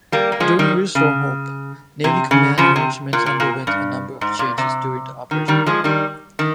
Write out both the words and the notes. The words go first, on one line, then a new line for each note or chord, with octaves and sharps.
During 'Restore Hope,' Navy command arrangements underwent a number of changes during the operation.
G3 A#3
A#3
F3 G#3
D#3 G3
C#3
C3
C#3
C#3 F3
C3
A#2
A#2
A#2
G2
G#2
A#2
C3
D#3
D#3 G3
F3 G#3
D#3 G3
D#3